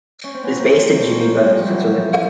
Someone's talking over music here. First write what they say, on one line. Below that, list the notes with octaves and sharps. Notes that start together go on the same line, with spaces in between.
It is based in Geneva, Switzerland.
C#4
C4
B3 C#4
A#3 C4
C4 D4
C#4
A#3 C4
G3
G#3
F3 G3
E3 F#3
F3
F3